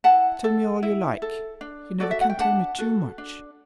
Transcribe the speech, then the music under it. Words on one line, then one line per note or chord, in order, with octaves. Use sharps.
Tell me all you like; you never can tell me too much.
E4 F#5 A5
A4
E4
A4
D4
F#4 A4 D5
E5
F#5
G5
D4 F#5 A5
F#4 A4
D4